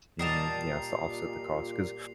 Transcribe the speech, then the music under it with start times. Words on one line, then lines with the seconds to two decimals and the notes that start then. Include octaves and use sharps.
mm, yes, to offset the cost 'cause
0.19 A#2 G3 A#4 D#5 A5 C7 F7